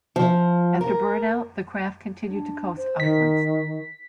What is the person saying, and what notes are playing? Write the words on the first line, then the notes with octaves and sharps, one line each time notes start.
After burn-out the craft continued to coast upwards.
F3
A#4
D4
C5
D#3 B6